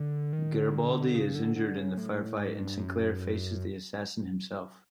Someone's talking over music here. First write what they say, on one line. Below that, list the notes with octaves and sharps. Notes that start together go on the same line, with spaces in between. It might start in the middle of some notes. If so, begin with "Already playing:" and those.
Garibaldi is injured in the firefight and Sinclair faces the assassin himself.
Already playing: D3
D#3
D3
C#3
D3
D3
C#3
A2
G#2
G2
F#2